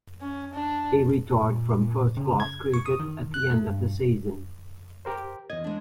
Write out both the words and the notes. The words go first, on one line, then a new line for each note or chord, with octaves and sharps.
He retired from first-class cricket at the end of the season.
C#4
D4
A#2
A#2
C#3
G#6
C#6
D#6
D#3
F#6
A3
G2
G4 A#4 C5
E2 D#5 G#6
G#3 D4